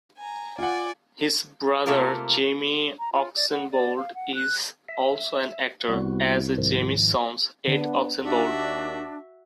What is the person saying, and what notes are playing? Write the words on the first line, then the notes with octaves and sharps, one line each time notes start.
His brother Jamie Oxenbould is also an actor, as is Jamie's son, Ed Oxenbould.
G#5 A#5
F4 D5 F#5 G#5
C3 A3 A#3 F4 A4 A#4
A#5
F4
D5
F#5
D5
F5
F#5
F#6
E5
C2 G3 B3 F#4
G#2 D#3 F3
D3 B3 D4
D#2 D4 F#4 E5